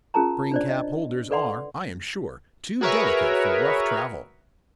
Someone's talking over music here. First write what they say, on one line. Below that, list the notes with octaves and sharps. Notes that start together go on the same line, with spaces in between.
Spring cap holders are, I am sure, too delicate for rough travel.
C#4 F4 G#4 A#4 A5 A#5
D4 C5 D5
D#5
A4 B4 D5 F#5 C6
F#4 G#4 A#4 B4 C#5 E5